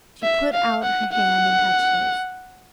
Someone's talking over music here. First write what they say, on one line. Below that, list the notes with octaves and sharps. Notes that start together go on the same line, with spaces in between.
She put out her hand and touched his.
E5
F5
F#5
F#5